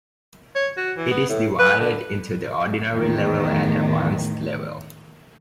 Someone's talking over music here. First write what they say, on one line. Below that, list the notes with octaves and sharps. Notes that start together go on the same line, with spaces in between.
It is divided into the Ordinary level and Advanced level.
C#5
F#4
E3
B3
A2
B4
D3
E2 A2 D#3